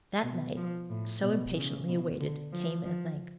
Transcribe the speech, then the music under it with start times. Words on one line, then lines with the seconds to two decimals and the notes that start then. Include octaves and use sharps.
That night, so impatiently awaited, came at length.
0.23 B2
0.57 F3
0.90 A2
1.22 B2
1.54 C#3
1.88 B2
2.20 D3
2.52 F3
2.85 F3